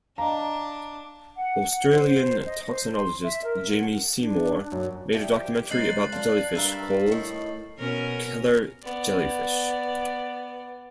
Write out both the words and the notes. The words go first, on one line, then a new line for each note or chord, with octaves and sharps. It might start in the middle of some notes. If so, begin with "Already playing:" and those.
Australian toxinologist Jamie Seymour made a documentary about the jellyfish called 'Killer Jellyfish'.
D4 D#5 F5 A#5
F#5
F#5
C5
D#5
C5
C6
E5
A#4
F#5
D4
F#2
F3 G3 E4 G4
C#2 D#4 C5 F#6 A6 C7 F#7
D4 F4 A#4
G2 F4 A#4 B4 E5
A2 D#3
B2 C#4 A#4
B3 D5